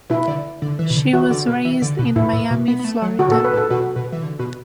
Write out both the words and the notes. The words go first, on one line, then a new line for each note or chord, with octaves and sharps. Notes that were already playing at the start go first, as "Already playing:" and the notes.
She was raised in Miami, Florida.
B2 E4
D3
D3
E3
B2
D3
E3 F#4
D3
B2
E3
D3
B2
A2 E4
A2
B2
B3
B3
A3
F#3
D3 F#4
A2
A4
B2
B4
A2
A4
B2 F#4
B2
E3
D3
B2